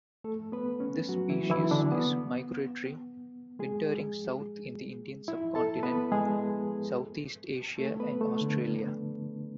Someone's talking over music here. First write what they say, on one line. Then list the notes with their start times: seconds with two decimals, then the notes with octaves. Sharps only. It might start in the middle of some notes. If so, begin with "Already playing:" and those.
This species is migratory, wintering south in the Indian Subcontinent, Southeast Asia and Australia.
0.24 A3 A4
0.52 B3 B4
0.80 C#4
1.09 F#3 F#4
1.30 E3 E4
1.50 E3 E4
1.71 D3 D4
1.92 B3
3.59 G#3 G#4
5.28 E4 E5
5.55 A4 A5
5.83 B3 B4
6.12 G#3 G#4
7.78 A3 A4
8.00 B3 B4
8.21 A3 A4
8.41 D3 D4